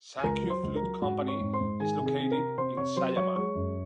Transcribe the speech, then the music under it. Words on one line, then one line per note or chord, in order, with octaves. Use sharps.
Sankyo Flute Company is located in Sayama.
G#5
C#2 A#4 A#5
F#3
C5 C6
C#2
A#4 A#5
F#3
G#2 F#4 F#5
C4
C#5 C#6
G#2
C5 C6
G#2
D#3 G#4 G#5
C3
G#4 G#5
C4
A#4 A#5
C3
C3 C5 C6
C3 C#5 C#6
F#3 C5 C6
F#3 C#5 C#6
G#3 C#5 C#6
F#2